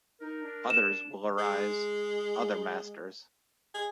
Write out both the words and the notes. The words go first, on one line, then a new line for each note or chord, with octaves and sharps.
Others will arise — other masters.
D#4 A#4
D4
E7
G#3
G#4